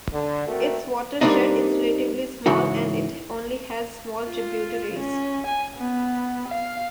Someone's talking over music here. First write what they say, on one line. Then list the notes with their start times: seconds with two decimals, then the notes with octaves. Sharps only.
Its watershed is relatively small, and it only has small tributaries.
0.12 D3
0.47 A3 A#3 C4 F#4 A#4
1.21 G3 A#3 C4 D4 D#4
2.46 G#2 C#3 E3 F#4
4.26 F4
4.99 C#4
5.47 G#5
5.77 B3
6.48 F5